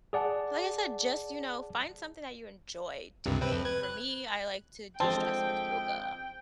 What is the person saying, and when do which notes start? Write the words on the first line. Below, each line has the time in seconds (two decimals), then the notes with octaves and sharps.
like I said, just, you know, find something that you enjoy doing. For me, I like to destress with yoga,
0.13 G#4 D5 F#5 A5
3.25 C#2 G2 C3
3.41 C3 C4 B4
3.52 F2
3.65 B4 G#6
3.83 F#6
5.00 D3 F3 G#3 C4 G5 A5